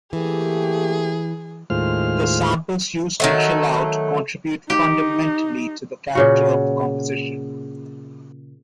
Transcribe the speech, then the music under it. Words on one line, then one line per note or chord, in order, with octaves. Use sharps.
The samples used in "Chill Out" contribute fundamentally to the character of the composition.
E3 A3 A#3 G4 G#4
D#2 A2 G#3 F4 C5 F6
D#3 F#3 A3
D#4 G4
A#2 C#3 F#4